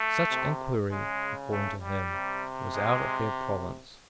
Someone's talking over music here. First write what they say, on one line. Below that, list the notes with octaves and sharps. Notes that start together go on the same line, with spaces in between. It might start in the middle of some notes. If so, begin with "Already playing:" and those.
Such inquiry, according to him, was out of their province.
Already playing: A3
C3
C#3 G#3
A3
G3
C3
G#3